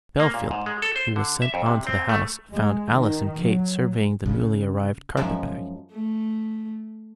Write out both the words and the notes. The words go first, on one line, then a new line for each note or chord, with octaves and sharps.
Bellfield, who was sent on to the house, found Alice and Kate surveying the newly arrived carpet bag.
A#3
A#2
G#2
G#3
A4
C5
D3
E5
F2
C3
C4
A3
G#3
D#3
F#3
C#3
F#2 F3 G#3 E5
A3